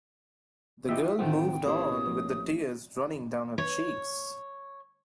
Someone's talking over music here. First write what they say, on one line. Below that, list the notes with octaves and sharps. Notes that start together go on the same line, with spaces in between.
The girl moved on with the tears running down her cheeks.
E3 F4 G4 D#5 E5
A1 D#3 A3 C4 F4 F#5 G5
A#3 C#4 E4 G4 C#5 D#6
F3 A3
C#5